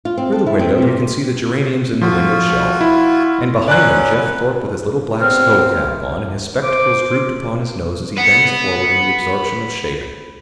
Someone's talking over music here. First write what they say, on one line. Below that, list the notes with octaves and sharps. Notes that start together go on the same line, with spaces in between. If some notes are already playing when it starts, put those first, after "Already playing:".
Through the window you can see the geraniums in the window shelf and behind them Jeff Thorpe with his little black scull cap on and his spectacles drooped upon his nose as he bends forward in the absorption of shaving.
F4
C4
A4
E4
C4
A#2
F3 F4 F#4
E4
F#3 C#4 B4 D5 F#6
G2 B3 C4 F6
C5 D6
B4 F#5